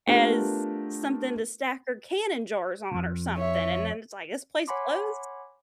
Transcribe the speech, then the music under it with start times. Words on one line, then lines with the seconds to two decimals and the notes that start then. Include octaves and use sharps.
as something to stack her canning jars on or something, and then it's like, "This place closed?"
0.07 A3 B3 D4 F4 G4 A#4
2.92 C2 F2
3.37 C#5 E5
4.68 C#5 F#5 G#5 B5 C6 D6